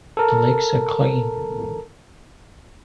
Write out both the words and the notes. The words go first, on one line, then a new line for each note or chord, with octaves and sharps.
The legs are clean.
A4 A#4